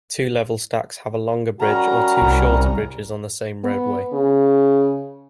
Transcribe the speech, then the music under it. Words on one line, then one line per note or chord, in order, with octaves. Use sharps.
Two-level stacks have a longer bridge or two shorter bridges on the same roadway.
G3 C#4 F#4 A#4 A#5
C2
B3
C#3